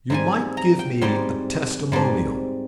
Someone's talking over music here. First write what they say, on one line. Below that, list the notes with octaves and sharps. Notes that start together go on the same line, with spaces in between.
"You might give me a testimonial."
G#2 G3 C4 G#5
A#5
G5
G#2 G3 C4 G5
G#2 G3 C4